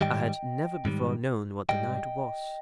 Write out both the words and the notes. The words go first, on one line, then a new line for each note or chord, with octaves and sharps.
I had never before known what the night was.
G#2 D#3 G3 D#5 G5
G#2 D#3 G3
G#2 D#3 G3 D#5 G5